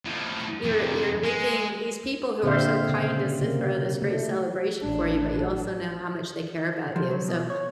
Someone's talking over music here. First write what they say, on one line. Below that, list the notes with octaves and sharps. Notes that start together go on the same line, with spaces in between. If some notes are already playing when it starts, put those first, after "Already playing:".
you're you're leaving these people who are so kind as to throw this great celebration for you, but you also know how much they care about you. So,
A2 F3
F2 C3
G#3
A#2 D3 C4 C5 E5 F5
C#3
C3 A#3
A3
A1 D4
F3
F#3
B2
C#5